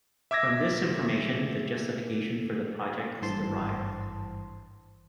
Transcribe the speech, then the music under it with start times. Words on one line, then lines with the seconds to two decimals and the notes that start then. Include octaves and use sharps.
From this information, the justification for the project is derived.
0.31 E5 D6 E6 G#6 A#6
3.22 G#1 G2 E3 C5 A5 C6